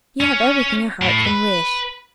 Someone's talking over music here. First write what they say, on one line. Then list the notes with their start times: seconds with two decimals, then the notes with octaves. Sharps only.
You have everything a heart can wish.
0.21 C#4
1.02 A2
1.25 B4